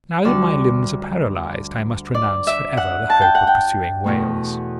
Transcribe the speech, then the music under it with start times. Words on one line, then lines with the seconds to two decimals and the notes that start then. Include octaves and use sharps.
Now that my limbs are paralysed I must renounce for ever the hope of pursuing whales.
0.24 D2 D3 G3 D5
2.14 D5
2.47 E5
2.77 F#5
3.10 A5
3.22 G5
3.35 F#5
3.47 G5
4.04 E2 B2 A3